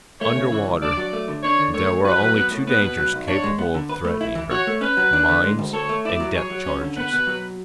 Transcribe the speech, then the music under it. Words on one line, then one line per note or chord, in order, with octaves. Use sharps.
Under water there were only two dangers capable of threatening her--mines and depth-charges.
A3 C#5
C#3
E3
C#2
D4 D5
F#3
A3
D3
D4 C#5
D3
A3 C#5
F#2
F#4 B4
F#3
B3
A2
B3 B4
B2
F#3
B1
D4 C#5
G#3
B3
D3
B4
A3
E4
E3
F#4 C#5
A3
C#4 B4
F#3
D4
D3
G#3
D2
A4 C#5
A3
E4 D5
F#3
G#4 C#5
F#3
C#4
D3
B3 B4
B2
F#3